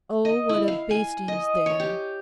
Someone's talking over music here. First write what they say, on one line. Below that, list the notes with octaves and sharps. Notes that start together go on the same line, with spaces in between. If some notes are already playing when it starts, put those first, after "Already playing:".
Oh, what a basting's there!'
D#5
E4
F5
G#5
D#5
C#5
G4